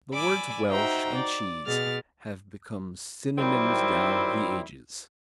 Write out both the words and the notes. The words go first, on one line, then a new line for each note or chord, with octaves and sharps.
The words Welsh and cheese have become synonyms down the ages.
D5 G#5 B5 D6 E6
D#4 F#4 C5 E5 G5 A#5
D5
B2 G#4 F6 A6
D#3 F#3 G3 C4 E4